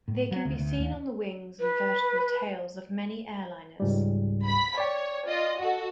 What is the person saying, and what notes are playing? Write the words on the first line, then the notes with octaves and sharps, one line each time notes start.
They can be seen on the wings and vertical tails of many airliners.
A2
F#3
D2
D2
D#2
B4
C#2 G#2 G3
B5 B6
C#5 D5 G5
F4 D#5
F#4 A4